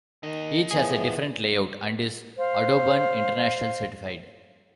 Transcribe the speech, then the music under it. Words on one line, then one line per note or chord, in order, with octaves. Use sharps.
Each has a different layout and is Audubon International certified.
D#2 D#3 D#5
A2 E3 F3 B3 G#4
C5 F5